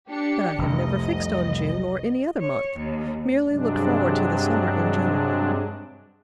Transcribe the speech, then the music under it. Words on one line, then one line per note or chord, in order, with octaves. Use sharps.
"But I have never fixed on June or any other month--merely looked forward to the summer in general."
D4 G4 C#7
F1 C2 D#5
C#5
D#2
G2 C3 F#3 G#3 D4